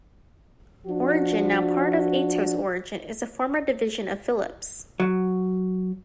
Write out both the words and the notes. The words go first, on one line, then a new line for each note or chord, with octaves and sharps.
Origin, now part of Atos Origin, is a former division of Philips.
F3 D4 F#4
F#3